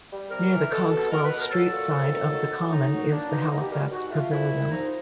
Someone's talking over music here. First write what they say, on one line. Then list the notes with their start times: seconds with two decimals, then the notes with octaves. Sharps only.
Near the Cogswell street side of the Common is The Halifax Pavilion.
0.11 G3
0.31 C3 A#4
0.51 E3
0.71 B2 A4
0.91 B2
1.11 B2 A#4
1.24 B4
1.32 B2
1.38 A#4
1.51 F#3 A4
1.71 A#2 A4
1.91 F2
2.10 D#3
2.30 F#3
2.51 F#3
2.71 F#2 D#4
2.91 F#3
3.10 A#3 D4
3.30 B2 D#4
3.50 B2 D#4
3.61 G4
3.71 G3 A#4
3.91 G#2 F#4
4.10 A3 F4
4.31 C2 E4
4.51 C2
4.71 F3 D#4